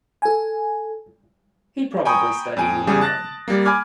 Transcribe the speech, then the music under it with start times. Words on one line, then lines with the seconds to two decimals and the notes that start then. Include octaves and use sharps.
He probably studied in Rome.
0.22 A4 G#5
2.05 G5 G#5 A#5 B5 C#6 D#6
2.57 F2 G#5 D7
2.87 E2 C#3 G3 G#4
3.01 A5 F#6 A6 A#6
3.48 G3 A#3
3.65 G#5 B5 D6 F6 G#6